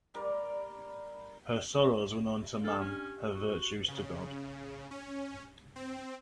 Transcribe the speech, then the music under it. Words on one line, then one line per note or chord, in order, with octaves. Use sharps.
Her sorrows were known to man; her virtues to God.
G3 A#4 D5
D4 A4 F6
C#4 G4
F#4
C#3
C#4
C4